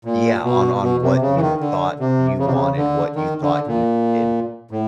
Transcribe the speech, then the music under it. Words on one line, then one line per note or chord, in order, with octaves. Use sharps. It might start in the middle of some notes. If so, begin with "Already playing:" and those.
Yeah, on on what you thought you wanted, what you thought you did
A#2
B2
B2
C3
C#3
E3
D#3
D3
C3
C#3
C3
C#3
D3
D#3
D3
A#2
A2